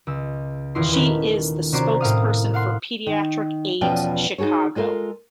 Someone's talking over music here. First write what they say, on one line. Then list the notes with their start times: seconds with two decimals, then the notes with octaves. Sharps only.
She is the spokesperson for Pediatric Aids Chicago.
0.07 C#2 E6
0.75 D#1 E2 E3 E4 F4 C6
0.93 D#3 A3 C#4 B4
1.72 C3 C#4 F#4 C5 D5 A#5
2.01 A2 A#3 F5 D#6
2.53 F5 F#5 C6
3.07 D#3
3.81 E2 B2 F3 C#4 D5 G5
4.38 D#4 F#4 G#4 A4 C#5
4.76 G#3 F4 A4 A#4